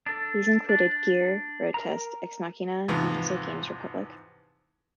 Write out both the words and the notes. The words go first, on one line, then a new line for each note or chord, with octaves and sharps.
These included "Gear", "Roadtest", "ExMachina" and also "Games Republic".
D4 A4
D4
A#4 A#5
E2 G#2 C3 F3 B3